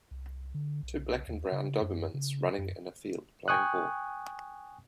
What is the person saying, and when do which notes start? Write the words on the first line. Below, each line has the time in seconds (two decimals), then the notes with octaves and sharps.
Two black and brown dobermans running in a field playing ball.
0.11 C2
0.54 D3
0.83 B1
1.28 D#2
1.52 C#3
1.82 F#2
2.14 C#3
2.58 F#2
3.48 G5 G#5 C#6 D#6 F#6